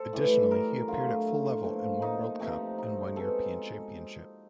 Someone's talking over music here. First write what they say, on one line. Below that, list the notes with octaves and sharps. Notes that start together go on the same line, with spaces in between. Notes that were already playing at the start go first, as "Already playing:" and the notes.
Additionally, he appeared at full level in one World Cup and one European Championship.
Already playing: A4 C5
A2 E3 G3
A#4
D3 F#3 A3 F4
A#2 F3 A3
D#4
C3 F3 A3 C4 D#4
D#4
B2 G#3 C4 A4